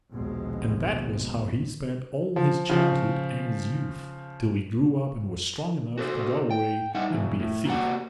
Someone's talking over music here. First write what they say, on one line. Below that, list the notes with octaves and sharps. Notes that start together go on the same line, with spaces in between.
And that was how he spent all his childhood and his youth, till he grew up and was strong enough to go away and be a thief.
A#1 D#2 B2 G#3
F3
C#3 F3
F#4 A4 B4 C5
G5
G3 D#4 F#5
B2 E3
A2
A#3 F#4 G4 F#5